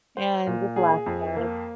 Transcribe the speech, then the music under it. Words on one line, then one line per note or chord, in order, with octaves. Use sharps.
and just laugh about it.
C5
A#2
G#4
F2
A#3